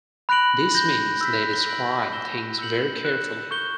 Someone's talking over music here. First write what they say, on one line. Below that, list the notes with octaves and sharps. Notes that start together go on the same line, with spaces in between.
This means they describe things very carefully.
B5 F#6 A#6 D7 F#7
G6 A#6 E7 G7
E6 G6 B6
F#6 A#6 D7 F#7
E6 A#6 E7 G7
E6 G6 C#7 F#7
F#6 C#7 E7
C#6 G6 C#7 G7